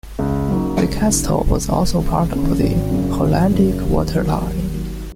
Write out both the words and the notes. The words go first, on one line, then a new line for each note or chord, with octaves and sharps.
The Castle was also part of the Hollandic Water Line.
C#2
C#3 F#3 A#3 D#4
C#2
C#3 F#3 A#3 D#4
C#2
C#3 A#3 C#4
C#2
C#3 A#3 C#4
G#1
F#2 C#3
G#1
F#2 C#3
D#2
D#3 F#3 A#3
D#2
D#3 F#3 A#3